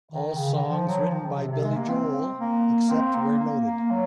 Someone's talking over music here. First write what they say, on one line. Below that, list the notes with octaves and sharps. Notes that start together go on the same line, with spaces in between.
All songs written by Billy Joel, except where noted.
D#3
C#3
D#3
F3
F#3
F3
D#3
C#3
C3
C3
G#3
A#3
C4
A#3
C4
A#3
A#3
A#3
F#3